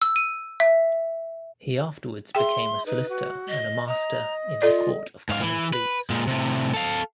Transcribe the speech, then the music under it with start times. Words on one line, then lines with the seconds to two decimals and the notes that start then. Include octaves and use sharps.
He afterwards became a solicitor and a master in the Court of Common Pleas.
0.02 E6
0.16 D#7
0.60 E5
2.35 G#4 E5 G5 C6
2.86 D#4 B4
3.09 F#4
3.48 D#5
3.87 D#5 A#5
4.62 F4 A4 D5
5.29 G#2 F5
5.42 E3
5.73 B4
6.10 A#2 G#3
6.27 A2 C3
6.74 A4 F5